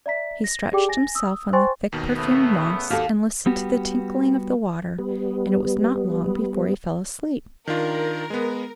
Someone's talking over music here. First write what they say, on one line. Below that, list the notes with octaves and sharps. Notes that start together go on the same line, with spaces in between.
He stretched himself on the thick perfumed moss, and listened to the tinkling of the water, and it was not long before he fell asleep.
D5 E5 A#5 B6
A#6
G4 G#4 D5 G5 D6
G#5 A6 A#6
D#6 E6
C5 G5 G#5 C6 C#6 A6
D#2 B2 D#3
C#3 A3 B3
D#2 F#4 G4 A4 F5 F6
G3 B3 F#4 G4
G3 B3
D#3 D4 F4 A#4
G#3 B3